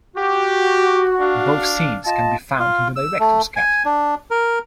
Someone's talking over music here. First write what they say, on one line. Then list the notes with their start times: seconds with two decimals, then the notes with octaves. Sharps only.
Both scenes can be found in the director's cut.
0.16 F#4 G4
1.19 D4 F5
2.05 F4 D#5 A5
2.60 F4
2.96 E6
3.19 A3
3.56 G#5
3.85 D4
4.31 A#4